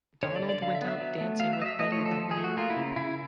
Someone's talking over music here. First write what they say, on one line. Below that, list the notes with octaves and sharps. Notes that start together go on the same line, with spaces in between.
Donald went out dancing with Betty that night.
D3 C#5
D5
D3
D5
D3 F5
E5
B3
E5
F#3
A3
F#3 F5
E5
F#3 D#5
E5
A3 D#5
C#5
F3
A4
F3
G#4
A3
F#4
A#3 F4
E4
C#3
C#3 E4